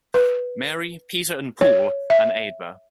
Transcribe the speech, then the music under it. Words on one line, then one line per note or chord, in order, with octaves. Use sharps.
Mary, Peter and Paul, and Eadburh.
B4
C#5
E5